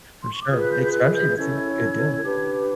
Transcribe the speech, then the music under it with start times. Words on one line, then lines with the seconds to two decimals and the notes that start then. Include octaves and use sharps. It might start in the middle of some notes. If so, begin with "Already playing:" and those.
for sure. Especially if it's a good deal.
0.21 C6
0.30 C#6
0.39 D6
0.49 F4 G#4 B4 D#6
0.59 F#6
0.70 G6
0.81 G6
0.92 F#6
1.13 G6
1.35 C#4 E4 A4 C#5 G#6
2.22 D4 G4 B4